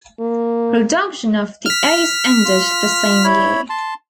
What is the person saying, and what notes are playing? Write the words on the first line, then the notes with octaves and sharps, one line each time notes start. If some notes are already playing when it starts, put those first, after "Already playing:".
Production of the Ace ended the same year.
A#3
F6 B6
F4
E4 C#5 B5
A5 C6